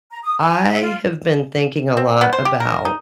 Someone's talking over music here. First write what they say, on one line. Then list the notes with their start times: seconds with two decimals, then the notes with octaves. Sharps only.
I have been thinking a lot about
0.12 A#5
0.24 D#6
0.42 G#5
0.68 E5
0.82 F4
1.97 C4
2.21 B3
2.33 C5
2.45 G4
2.60 A#4
2.85 D#4